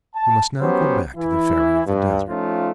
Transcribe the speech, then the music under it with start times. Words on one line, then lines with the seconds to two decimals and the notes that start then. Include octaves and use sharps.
We must now go back to the Fairy of the Desert.
0.16 A5
0.61 F#3 B3 C#4 G4 C5
1.17 E3 E4
1.86 G2
2.29 F3 A3 C#4 D#4 F4